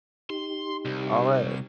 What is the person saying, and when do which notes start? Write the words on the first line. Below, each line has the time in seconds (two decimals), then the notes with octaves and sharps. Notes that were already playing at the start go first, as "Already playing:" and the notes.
All right.
0.30 D#4 G4 C6
0.85 C2